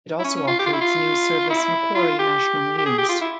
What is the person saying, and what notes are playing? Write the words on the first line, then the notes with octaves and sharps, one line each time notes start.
It also operates news service Macquarie National News.
E4
C#4
C#4
F4
G4
F4
E4
F4
E4
F4
G4
G4
G#4
G4
F4
E4